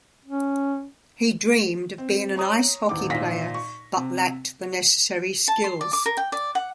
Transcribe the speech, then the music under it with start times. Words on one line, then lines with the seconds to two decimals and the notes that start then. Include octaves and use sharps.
He dreamed of being an ice hockey player but lacked the necessary skills.
0.25 C#4
1.98 C4
2.36 C#5 A#5 D#6
2.89 D#1 A1 D6
3.10 G#1 A#2 A#6 B6
3.54 C#6
3.97 C3
5.48 A5
5.64 C6
5.81 D5
5.93 D6
6.06 A#4
6.17 G5
6.32 D5
6.55 F#5